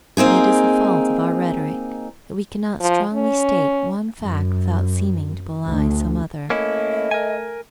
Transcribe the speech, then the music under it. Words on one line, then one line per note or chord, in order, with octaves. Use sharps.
But it is the fault of our rhetoric that we cannot strongly state one fact without seeming to belie some other.
A#3 C4 D#4 G#4
F3
C#4
F#2
D2
A3 A#3 C#4 E4 D#5
A#4 G#5